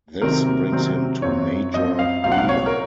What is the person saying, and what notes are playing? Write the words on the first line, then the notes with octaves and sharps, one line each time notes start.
This brings him to Major Wheeler.
C3 D#3 F#3 C4 A#4
C3 D#3 F#3 C4
F#2 F3 C4 C#5
F#2 F3 C4 D#5
F5
C2 A#2 F#3 C4 F5
F#5
F5
C#5
A#4